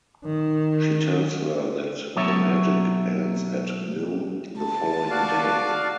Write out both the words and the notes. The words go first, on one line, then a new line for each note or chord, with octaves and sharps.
She tells her that the magic ends at noon the following day.
D#3
B2 F#3 C#5 E5
A5
F#4 D5 F5